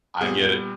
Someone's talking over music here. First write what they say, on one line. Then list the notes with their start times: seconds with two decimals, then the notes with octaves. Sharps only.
I get it
0.21 A#2 G3 B3 G#4